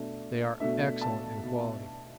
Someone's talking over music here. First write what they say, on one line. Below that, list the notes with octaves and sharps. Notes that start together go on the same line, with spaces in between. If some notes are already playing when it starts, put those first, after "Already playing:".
They are excellent in quality.
Already playing: B2 A3 D4
B2 A3 D4 E5
A5
B2